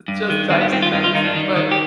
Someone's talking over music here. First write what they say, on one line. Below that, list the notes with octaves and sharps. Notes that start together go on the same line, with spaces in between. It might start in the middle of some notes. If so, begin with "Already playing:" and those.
just drives you crazy, but
G2
D#3
D#3 C4
B3
G2 C4
F4
G2 D#4
F4
D#3 D#4
D4
D#3
D#3
G4